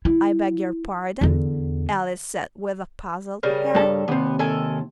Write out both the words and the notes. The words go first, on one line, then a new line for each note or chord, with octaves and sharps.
'I beg your pardon?' Alice said with a puzzled air.
E4
E2 D3
C#3 G3 A#4
G2 A4
D#2 C3 B3
D#3 A4 G#5